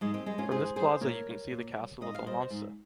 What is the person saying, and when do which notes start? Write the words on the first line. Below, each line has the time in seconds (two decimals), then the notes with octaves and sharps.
From this plaza you can see the Castle of Almansa.
0.01 G#2 G#3
0.14 G#3 C4
0.26 G3 G#3
0.38 C#4 F4
0.51 G#2 G#4 C5
0.76 G3 G#4 C5
1.01 A#2 A#4 C#5
1.26 G3
1.51 A#2
1.76 G3
2.01 G#2 D#5
2.14 F5
2.27 G3 C5 D#5
2.50 G#2